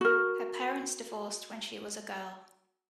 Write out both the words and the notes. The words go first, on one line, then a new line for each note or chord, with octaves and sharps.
Her parents divorced when she was a girl.
F#4 A#4